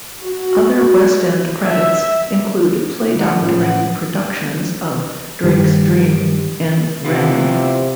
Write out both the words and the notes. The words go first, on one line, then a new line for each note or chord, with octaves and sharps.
Other West End credits include playdoctoring productions of "Drake's Dream" and "Wren".
F#4
E5
D#3 D#4 F#5
C#2 A2
F#5
G2 D#3 G3 G4
C3 B3 E4 F4